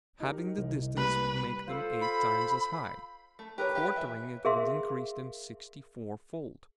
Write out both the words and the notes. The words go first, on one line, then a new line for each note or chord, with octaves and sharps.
Halving the distance would make them eight times as high; quartering it would increase them sixty-four-fold.
D#4 G4 A#4
C2
G3 A#3 B4
F4 A4 C5
B5
A3
G4 A#4 B4 C#5
G4 F5 G5
E3 E5
G#4 A#4 E5 F5 C6